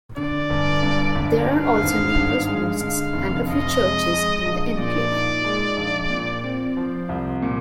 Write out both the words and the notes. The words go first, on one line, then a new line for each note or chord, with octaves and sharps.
There are also numerous mosques and a few churches in the enclave.
D3 D5
G1
G2
G1
D3 F5
G#1
G2
G#3
D3 F5
F1
F2 D#5
G#3
G#3
A#1
A#2 D5
D#4
G#3
A#1
A#2
C4
F3 C5
C2
A#2